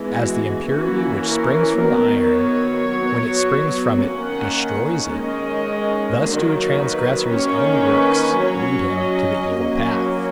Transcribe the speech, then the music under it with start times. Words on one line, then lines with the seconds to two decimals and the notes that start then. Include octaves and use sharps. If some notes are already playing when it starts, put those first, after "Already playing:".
As the impurity which springs from the iron, when it springs from it, destroys it; thus do a transgressor's own works lead him to the evil path.
Already playing: E3 G#3 B3
0.13 F#4
0.68 E3 A#3 C#4 F#4
1.23 A#4
1.78 D#3 F#3 B3
2.33 C#5
2.89 F#3 B3
3.98 D#3 A#3 C#4 F#5
5.09 D#3 G#3 C#4 D#5
6.19 D#3 F#3 A#3
6.74 B4
7.29 D#3 A#3 C#4 C#5
7.84 B4
8.39 F#3 C#4 C#5
8.94 D#5
9.49 F#3 A#3 C#4